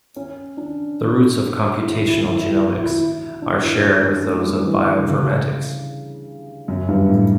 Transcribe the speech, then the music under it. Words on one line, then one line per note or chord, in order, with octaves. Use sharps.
The roots of computational genomics are shared with those of bioinformatics.
C#4
D4
E4
E4
E4
E4
E4
E4
E4
E4
E4
D4
E4
D4
C#4
A3
G3
E3
E3
D3
C#3
F#2
G2
A2